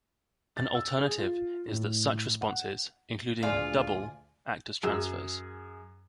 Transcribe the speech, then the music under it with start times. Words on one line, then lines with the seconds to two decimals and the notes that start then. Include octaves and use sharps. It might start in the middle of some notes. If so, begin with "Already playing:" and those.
An alternative is that such responses, including "double", act as transfers.
0.57 A6
0.75 E6
0.98 G#4
1.18 F4
1.67 A2
2.41 F#5
3.43 D2 A#2 F4 G#4 D5 G#5
4.83 F#2 G#4 E6